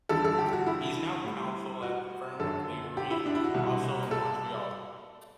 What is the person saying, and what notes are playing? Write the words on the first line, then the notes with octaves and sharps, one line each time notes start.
He is now Counsel at the firm of Lavery, also in Montreal.
E2 D3 G3 A4
A4
G4
F#4
E4
A2 G3
F#4
F#2 D3 F#3 A4
G4
E4
D4
E4
F#4
C2 B2 G3
A4